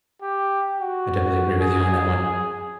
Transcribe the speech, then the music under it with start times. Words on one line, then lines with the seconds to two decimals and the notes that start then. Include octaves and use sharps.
I definitely agree with you on that one.
0.22 G4
0.80 F#4
1.60 G#4